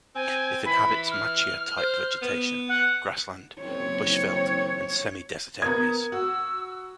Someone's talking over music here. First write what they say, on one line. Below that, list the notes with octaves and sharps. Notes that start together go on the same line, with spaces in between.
It inhabits macchia-type vegetation, grassland, bushveld, and semi-desert areas.
C4 G#5
E3 B5
F6
C5
B3
F#5
F#1 C4 C#5
B3 A#4 A#5 D#6 G#6
F#4 E6